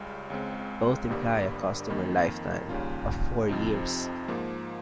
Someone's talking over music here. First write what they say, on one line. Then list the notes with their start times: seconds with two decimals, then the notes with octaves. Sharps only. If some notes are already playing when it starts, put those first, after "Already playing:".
Both imply a customer lifetime of four years.
Already playing: C#2 C#3 G3
0.30 C#2 C#3 G#3 C4
1.09 G1 G2 G3 A#3
1.89 F2 D#3 A#3 D#4
2.69 D#2 C#3 G3 C#4 F4
3.49 F2 C3 F3 C4 D#4
4.28 G#2 F3 A#3